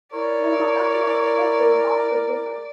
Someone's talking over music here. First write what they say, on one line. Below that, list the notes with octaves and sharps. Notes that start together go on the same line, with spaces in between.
Their molecular characters also differ.
E4 A#4 C#5 D5